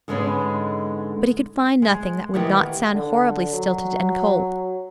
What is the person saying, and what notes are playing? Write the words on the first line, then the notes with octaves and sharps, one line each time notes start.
But he could find nothing that would not sound horribly stilted and cold.
G#2 D3 G3 G#3 B3 C#4
G#3
D#3 E3 E4 G4 A#4 F#5
D3
F#3